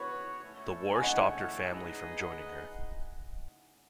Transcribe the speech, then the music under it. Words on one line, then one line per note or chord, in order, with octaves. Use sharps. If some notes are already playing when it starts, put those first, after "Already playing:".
The war stopped her family from joining her.
Already playing: B3 F#4 B4 C#5 F#5
A3 C#4 E4 A4 C#5
G#5
D#5 F#5
D#4 G#4 B4 D#5 F#5